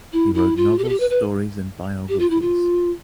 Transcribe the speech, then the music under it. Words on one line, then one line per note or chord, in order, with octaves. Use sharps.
He wrote novels, stories and biographies.
E4
E4
F4
G4
A4
G4
B4
B4
G4
F4
E4
F4